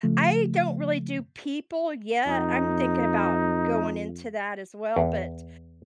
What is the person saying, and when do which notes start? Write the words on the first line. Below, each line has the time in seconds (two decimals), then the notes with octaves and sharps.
I don't really do people yet, I'm thinking about going into that as well, but
0.03 C#3 F3 A3
2.26 F2 D#4
4.96 E2